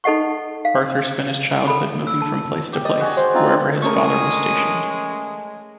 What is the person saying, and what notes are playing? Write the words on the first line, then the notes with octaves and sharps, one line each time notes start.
Arthur spent his childhood moving from place to place, wherever his father was stationed.
D#4 A4 D#5 F#5 C#6
F5
A4 B5 D6
E6
A5
G4
D5 D#5
F#4 G#4
C5 D5
C4 D#4 F4
G#3 A3 C#4 A#4 C#6 D#6